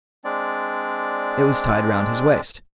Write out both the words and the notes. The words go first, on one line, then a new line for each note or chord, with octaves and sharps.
It was tied round his waist.
G#3 C4 D4 D5